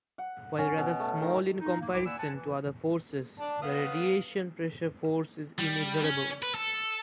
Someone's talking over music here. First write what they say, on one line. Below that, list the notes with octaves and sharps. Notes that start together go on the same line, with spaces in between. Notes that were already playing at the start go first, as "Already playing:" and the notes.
While rather small in comparison to other forces, the radiation pressure force is inexorable.
F#5
C#4
B2
A3
D#3
D#4
A#3
C2 G#2 E4 C5 G5 D6
A#3 D5 F#5 G#5 B5 E6
C5 F#5 G#5 A5
E3
D5 A5
B3 F5 D#6
G3
C#4
B4
A4